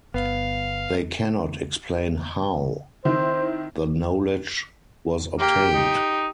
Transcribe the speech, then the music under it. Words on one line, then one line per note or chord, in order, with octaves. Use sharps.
They cannot explain "how" the knowledge was obtained.
G1 B3 F5
D#3 C4 E4 C5
A#3 G4
D#4